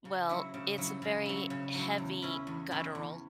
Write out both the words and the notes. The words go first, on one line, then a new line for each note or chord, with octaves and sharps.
Well, it's very heavy, guttural,
C#3
F#3 E4
C#3
F#3 E4
C#3
F#3 E4
C#3
F#3 E4
E2
E3 C#4 E4
E2
E3 C#4 E4
E2